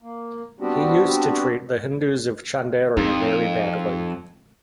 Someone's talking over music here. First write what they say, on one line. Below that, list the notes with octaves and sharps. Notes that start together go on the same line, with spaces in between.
He used to treat the Hindus of Chanderi very badly.
A#3
G3 B3 C4 D4 F#4 G4
F2 D#4